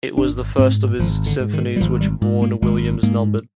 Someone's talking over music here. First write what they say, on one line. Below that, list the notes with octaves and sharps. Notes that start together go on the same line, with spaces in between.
It was the first of his symphonies which Vaughan Williams numbered.
G#1 D4
G#2 C4
G#1 F3
D3
G#2
D#3
G3
G#1 F3
G3
G#2
A#3
G#1 G#3
G#2 A#3